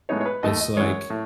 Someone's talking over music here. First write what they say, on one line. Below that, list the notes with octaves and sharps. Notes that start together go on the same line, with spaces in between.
it's like,
A2 G#3 B3 D#4 C#5
C#5
B4
D#2 D#3 A3 D#5
D#5
F#2 E3 G#3 C#5
A2